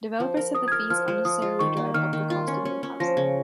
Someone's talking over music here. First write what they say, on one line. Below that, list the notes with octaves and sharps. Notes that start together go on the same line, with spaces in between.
Developers said the fees unnecessarily drive up the cost of new housing.
F3
A#4
A#4 D#6
G#6
A#4 F6
F3 F6
F3
F3 D#6
F4
D#3 C#6
A#3
D#3 F6
D#3
F4
C#4
C#4
C#4
F3 A#6
C#3